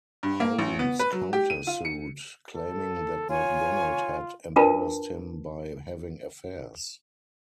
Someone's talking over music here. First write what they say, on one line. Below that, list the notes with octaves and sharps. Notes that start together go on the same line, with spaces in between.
Holmes counter-sued, claiming that MacDonald had embarrassed him by having affairs.
G2
A#3
A1
B3
B4
F#3
G4
D#7
F4
C#7
A4
F4 C#5 G#5
D4 F4 A#4 B4 A5